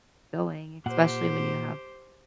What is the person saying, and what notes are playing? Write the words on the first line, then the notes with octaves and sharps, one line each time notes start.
going, especially when you have
A#2 G4 C5 F#5